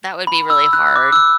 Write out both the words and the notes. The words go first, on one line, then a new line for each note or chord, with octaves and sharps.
That would be really hard.
B5
E6
F#6
D6
E6